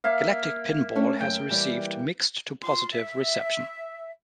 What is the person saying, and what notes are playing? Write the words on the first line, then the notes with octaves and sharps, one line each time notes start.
"Galactic Pinball" has received mixed to positive reception.
A#3 E5 F5
A3 C#4 D4
F#2 G5
E3 G3 D5
F4 C6
E5